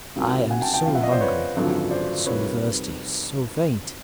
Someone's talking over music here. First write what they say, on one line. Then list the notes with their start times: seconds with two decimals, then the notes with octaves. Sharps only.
I am so hungry, so thirsty, so faint!
0.16 C#2 C3 D#3 F#3
0.50 F#5 G#5
0.62 G5 A5
0.73 G5 A5
0.85 C#2 C3 F3 F5 G5
0.95 E5 F#5
1.03 D#5 F5
1.12 C5 D5
1.21 B4 C#5
1.56 G#1 F#2 D3 F3
1.91 C5 D5
2.26 F2 C3 D#3 G3 B4 C#5